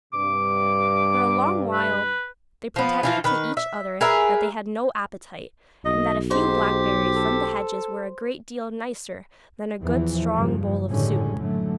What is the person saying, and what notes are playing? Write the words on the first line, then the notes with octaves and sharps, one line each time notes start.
For a long while whey pretended to each other that they had no appetite, and that a few blackberries from the hedges were a great deal nicer than a good strong bowl of soup.
G2 C3 D6
B4
F3 B3
E3 F3 F4
D#3 B4
E5
G#4 A#4 B4 E5
B1 D#5
G#2 G4 C5
A4
E2 E3 F3
F#1 G2 C#3 F3
F#1 A2 D3 G3 G#3 C#4
A2 D3 F#3 A3